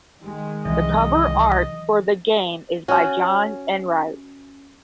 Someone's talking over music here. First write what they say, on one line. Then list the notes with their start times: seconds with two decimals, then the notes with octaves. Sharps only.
The cover art for the game is by John Enright.
0.21 D#3 G#3
0.65 C2 E3 F#3 D#5
2.88 C#4 F#4